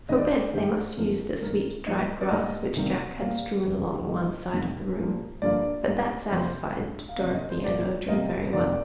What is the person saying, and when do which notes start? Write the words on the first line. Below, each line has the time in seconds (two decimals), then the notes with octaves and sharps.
For beds they must use the sweet dried grasses which Jack had strewn along one side of the room, but that satisfied Dorothy and Ojo very well.
0.09 G#2 D#3 G#3 D#5
0.17 D5
0.25 C5
0.33 D5
0.53 G2 D#3 A#3 G4
0.98 F2 C3 F3 A#3 A#4
1.42 G2 D#3 G#3 A#4
1.86 G#2 F3 A#3 D#5
2.21 D5
2.31 G#2 G3 A#3 D#5
2.76 C3 D#3 G3 A#3
3.20 A#2 G3 A#3 F5
3.65 F2 C3 F3
4.09 G2 D#3 G3 A#3 D#5
4.53 F2 C3 D#3 G3 A#3
4.98 A#2 F3 A#3
5.42 G2 D3 F3 A#3 D5
5.87 G#2 G3 A#3
6.31 F2 C3 F3 A#3 C5
6.75 G2 D3 G3
7.09 F5
7.20 C3 F3 A#3 D#5
7.35 D#5
7.50 C5
7.64 G2 F3 A#3 D5
8.09 C3 G3 A#3 D#5
8.53 F2 C3 D#3 A#3 D5